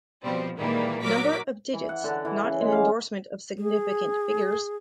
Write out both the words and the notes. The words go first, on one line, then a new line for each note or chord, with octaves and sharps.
Number of digits not an endorsement of significant figures.
B2 F3 G3 C4
A#2 D#3 E3 G3 G#3 A#3
F#3 F#4 A#4 D6 B6
E3
F#5
D3
E3
C#3
G#3
F5
G#4